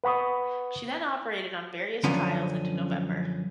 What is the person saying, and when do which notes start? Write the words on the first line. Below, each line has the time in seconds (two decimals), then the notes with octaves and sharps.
She then operated on various trials into November.
0.04 B4 F#5 B5 C#6 D#6
2.04 F#2 D3 F3 B3 C#4